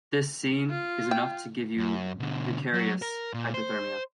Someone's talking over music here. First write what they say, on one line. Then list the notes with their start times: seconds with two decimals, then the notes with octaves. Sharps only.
This scene is enough to give you vicarious hypothermia.
0.70 F4
1.11 G5
1.78 F#2
2.19 B2 D3
2.74 F#3
3.02 A#4
3.33 A#2
3.54 C5